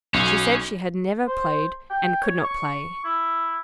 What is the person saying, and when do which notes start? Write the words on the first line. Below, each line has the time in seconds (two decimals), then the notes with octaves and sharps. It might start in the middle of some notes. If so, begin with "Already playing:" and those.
She said she had never played, and could not play.
0.14 B1 C#4
1.27 C5
1.90 G5
2.22 C#5
2.44 C#6
3.04 E4